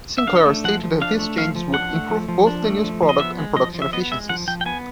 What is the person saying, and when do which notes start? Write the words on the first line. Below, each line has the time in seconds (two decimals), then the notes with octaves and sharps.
Sinclair stated that these changes would "improve both the news product and production efficiencies".
0.18 E5
0.27 D4 F5
0.46 A3
0.64 F3 F#5
0.83 F3
1.01 D4 F5
1.19 A3
1.38 F3 F5
1.55 F3
1.74 D4 F#5
1.93 A3
2.10 F3
2.29 F3
2.47 D4
2.65 A3
2.83 F3
3.02 F3
3.09 D#5
3.20 B3 E5
3.38 G#3
3.57 F3 D#5
3.74 F3
3.82 E5
3.93 B3 D#5
4.11 G#3 E5
4.29 F3 F#5
4.48 F3 G5
4.61 G5
4.66 B3 G#5